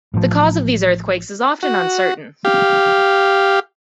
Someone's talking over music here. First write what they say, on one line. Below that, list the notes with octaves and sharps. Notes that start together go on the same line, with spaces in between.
The cause of these earthquakes is often uncertain.
A1 A2 C3 F3
F#4
G4 F5